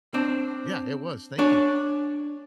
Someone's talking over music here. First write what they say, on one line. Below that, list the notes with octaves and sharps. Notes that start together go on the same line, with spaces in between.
Yeah, it was, thank you.
C4 D4
D4 C#5